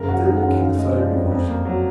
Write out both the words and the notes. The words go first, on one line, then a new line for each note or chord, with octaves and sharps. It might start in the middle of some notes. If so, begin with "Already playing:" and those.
But then there came a sudden revulsion.
Already playing: F#1 A#4
F#3 F#4
D#3 G#4
F#5
F#2
F#1 F5
G#3 D#5
F3 D5
F2
F2
A#3
F#3